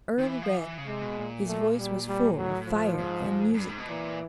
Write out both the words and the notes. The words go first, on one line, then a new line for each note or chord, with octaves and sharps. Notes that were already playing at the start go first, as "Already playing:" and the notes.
Earle read; his voice was full of fire and music.
D#3
E3
F3
E3
C#3
C3 G#3
B2
A#2
A3
G3
G3
A2 F#3
F3
G#2
F#2
G2
G#2
B2
A#2 E3